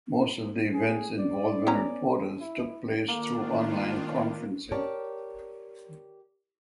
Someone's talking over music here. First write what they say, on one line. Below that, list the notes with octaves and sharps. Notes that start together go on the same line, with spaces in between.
Most of the events involving reporters took place through online conferencing.
G#4
D5
B3 C#4 A#5
E4
D#3 A#3 D4 F4
G4 A#4 C#5 D5 A5